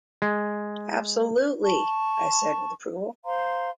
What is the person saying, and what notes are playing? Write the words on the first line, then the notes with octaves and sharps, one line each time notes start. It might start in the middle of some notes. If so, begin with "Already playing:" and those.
"Absolutely," I said with approval.
G#3
A5 C#6
C5 F5 A#5 C6